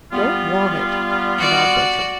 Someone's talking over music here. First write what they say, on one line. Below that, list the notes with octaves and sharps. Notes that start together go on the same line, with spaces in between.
"Don't want it," avowed Bertram.
G3 B3 F4
F#4 D5